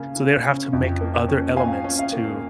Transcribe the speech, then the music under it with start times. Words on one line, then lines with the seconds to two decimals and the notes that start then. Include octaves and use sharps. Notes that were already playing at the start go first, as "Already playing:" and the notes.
so they would have to make other elements to
Already playing: C#3 A#3
0.16 C#3
0.45 C#4
0.73 F2
1.01 A#3
1.29 C#4
1.56 C#4 F5 G#5
1.84 C#4
1.99 F5
2.12 A#3